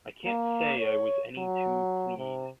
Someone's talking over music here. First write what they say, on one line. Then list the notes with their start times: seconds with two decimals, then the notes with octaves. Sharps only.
I can't say I was any too pleased.
0.25 A#3
0.78 C#5
1.38 F#3
2.18 C3